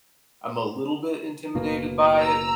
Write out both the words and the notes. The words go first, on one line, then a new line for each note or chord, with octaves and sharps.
I'm a little bit intimidated by it,
F#1 B2 A#3
A#5 E6